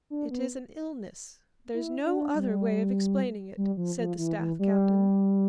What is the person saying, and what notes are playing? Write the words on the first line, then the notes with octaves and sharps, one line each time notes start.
"It is an illness, there's no other way of explaining it," said the staff captain.
D4
B3
E4
D4
G3
G3
F3
F3
E3
E3
G3